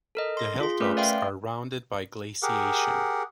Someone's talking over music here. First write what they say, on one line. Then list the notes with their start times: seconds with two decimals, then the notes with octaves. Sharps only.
The hilltops are rounded by glaciation.
0.15 A4 A#4 D#5
0.37 C6 A#6
0.60 F4 G#4 C6
0.80 A3 C#4 A#4 B4
0.97 D5 E5 F5 G5 C6
2.42 G4 G#4 A#4 F#5